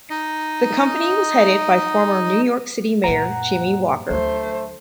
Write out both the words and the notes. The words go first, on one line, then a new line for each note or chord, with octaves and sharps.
The company was headed by former New York City mayor Jimmy Walker.
D#4 D#5
F#2 A#2 F#5 A#5
D2 F#3 A3 C5